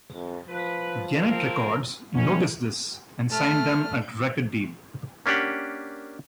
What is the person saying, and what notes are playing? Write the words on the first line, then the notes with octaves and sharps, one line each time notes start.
Genet Records noticed this and signed them a record deal.
F2
F3 B4
C4 A#4
D2 B2 F3 C#4 D4
A3 F6
A#3 C#4 D4 G4 F#5